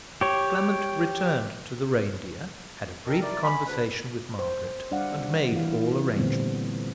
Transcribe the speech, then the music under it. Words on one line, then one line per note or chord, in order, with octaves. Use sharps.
Clement returned to the Reindeer, had a brief conversation with Margaret, and made all arrangements.
G4 C#5
D#4 G4 A4 A#4
E4 A#4 D5
G#5 B5
D2 B4
C5
G3 D4 D5 F5 F#5
E3 E4 F5
A#2 D3 G3 A3 B3 C4